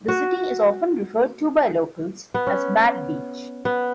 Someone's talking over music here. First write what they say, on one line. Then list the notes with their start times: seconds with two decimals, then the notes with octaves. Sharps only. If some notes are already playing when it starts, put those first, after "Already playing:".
The city is often referred to by locals as Mad Beach.
0.08 F#4
2.34 B3
2.47 C#4
3.65 B3